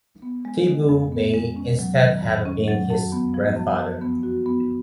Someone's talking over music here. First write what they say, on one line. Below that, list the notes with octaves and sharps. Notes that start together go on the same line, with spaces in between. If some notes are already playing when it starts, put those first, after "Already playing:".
Thibaud may instead have been his grandfather.
B3
G#3
D#3
F2
B3
G#3
C#4
F#3
D#3
F2
C#4
F#3
F#2
B3
F3
F#2
F#2
B3
F#4
B3